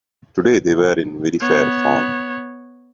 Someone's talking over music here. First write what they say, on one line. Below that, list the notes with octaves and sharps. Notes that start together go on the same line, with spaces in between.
Today they were in very fair form.
B3 C#5